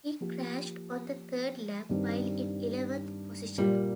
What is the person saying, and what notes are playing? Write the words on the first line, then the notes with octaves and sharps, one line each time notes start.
He crashed on the third lap, while in eleventh position.
F3 A#3 G4
G2 D#3 G3 C4
A#2 G3 A#3 F4 A#4